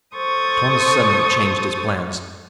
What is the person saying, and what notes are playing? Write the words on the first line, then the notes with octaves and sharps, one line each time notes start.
Tom suddenly changed his plans.
A4 C5 C#6 D#6